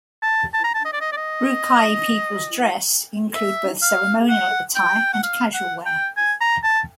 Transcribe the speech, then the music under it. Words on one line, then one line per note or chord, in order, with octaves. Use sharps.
Rukai people's dress include both ceremonial attire and casual wear.
A5
A5
A#5
A5
D#5
D5
D#5
D5
D#5
E5
F5
F#5
G5
F#5
F5
F#5
G5
G#5
A#5
A5